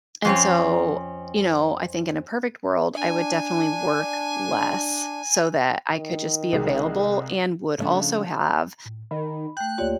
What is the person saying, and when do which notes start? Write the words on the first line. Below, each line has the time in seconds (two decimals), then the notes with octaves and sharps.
and so, you know, I think in a perfect world, I would definitely work less so that I could just be available and would also have
0.25 F2 C4 C#4
2.94 D4 G#5
5.94 D#3
6.53 C2 G#3
7.78 C#3 F3 A3 C#4 D4
8.86 A2
9.11 D#3 B5
9.57 A3 G5 F#6 G6
9.78 D2 A#3 F4 G4 C#5 D5